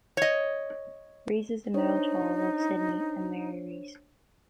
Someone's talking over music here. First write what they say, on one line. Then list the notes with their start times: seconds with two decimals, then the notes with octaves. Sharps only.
Rees is the middle child of Sidney and Mary Rees.
0.17 C#5 D#5
1.74 D4 D#4 C5 C#5